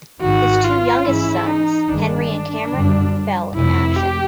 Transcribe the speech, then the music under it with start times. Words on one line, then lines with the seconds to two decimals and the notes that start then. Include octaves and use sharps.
His two youngest sons-Henry and Cameron-fell in action.
0.22 G#1 G#2 D#3 F#4
0.64 F4
1.05 G#2 E3 G#3 C#4 E4
1.47 D#4
1.88 G1 G2 D#3 G#3 D4
2.72 G1 F#2 D3 G3
3.55 F1 F2 C3 E4
3.97 G4